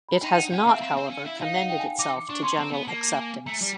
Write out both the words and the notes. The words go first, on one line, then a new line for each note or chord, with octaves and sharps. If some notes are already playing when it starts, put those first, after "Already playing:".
It has not, however, commended itself to general acceptance.
B5
D#4 G5
F#5
C#4 F#5
F5
C4 E5
F5
C4
C4
C#4
E4
D#4 F5
F#5
G5
G#5
A5
D#4 D6
D4 C#6
C#4 C6
A5
C4 A#5
B3 A5
A#3 A5
A#5
G#5
A3 A#5
G3